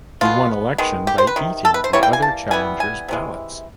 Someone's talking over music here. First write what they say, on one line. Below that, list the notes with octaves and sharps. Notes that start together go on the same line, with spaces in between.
He won election by eating the other challengers' ballots.
B2 G#3 B3 F4
D#3 G#3 B3
G4
C5
B4
C3 D#3
A4
B4
C5
E3 G3 A#3 C#5
G5
G#5
A5
E3 G3 B3 G#5
G#5
C3 E3 G#3